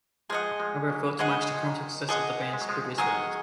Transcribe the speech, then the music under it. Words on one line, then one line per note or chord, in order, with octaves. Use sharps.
However, it failed to match the commercial success of the band's previous release.
F3 G#3 G#4 D#5 F#5
F3 G#3
F#3 A#3
F3 G#3 G#4 D#5 F#5
F3
D#3 F#3
D3 F3 G#4 D#5 F#5
G#3
F#3
F3 G#3
D#3 F#3 G#4 D#5 F#5